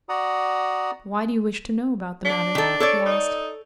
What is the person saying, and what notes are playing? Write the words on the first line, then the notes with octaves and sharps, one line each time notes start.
"Why do you wish to know about the matter?" he asked.
F#4 D5 F#5 A#5 D#6
D4
D#3 A4
A4 C#5 D5
D#4